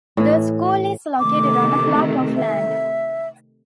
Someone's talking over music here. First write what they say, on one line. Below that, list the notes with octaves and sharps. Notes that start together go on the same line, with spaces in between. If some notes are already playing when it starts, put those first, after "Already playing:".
The school is located on a plot of land.
A2 E3
C3 D#3 A3 D6
E5